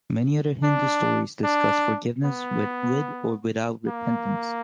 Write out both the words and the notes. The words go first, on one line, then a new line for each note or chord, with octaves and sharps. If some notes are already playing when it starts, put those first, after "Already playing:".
Many other Hindu stories discuss forgiveness with or without repentance.
D4
D4
B3
A#3